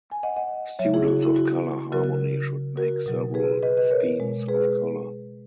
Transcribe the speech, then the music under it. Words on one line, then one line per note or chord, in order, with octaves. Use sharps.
Students of color harmony should make several schemes of color.
G#5
D#5 F#5
D#5 F#5
C#3 F#3 C#5 E5
E4 G#4
F#4
E4
F#4
C#3 F#3 F#4 A#4
F#4 A#4
B2 F#3
G#4 B4
B4 D#5
B4 D#5
A#4 C#5
B2 G#3
G#4 B4